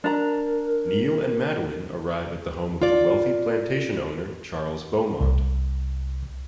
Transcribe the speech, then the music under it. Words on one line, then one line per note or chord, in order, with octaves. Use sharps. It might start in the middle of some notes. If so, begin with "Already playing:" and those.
Neil and Madeleine arrive at the home of the wealthy plantation owner, Charles Beaumont.
D4 A#4 A#5
F4 D5
C2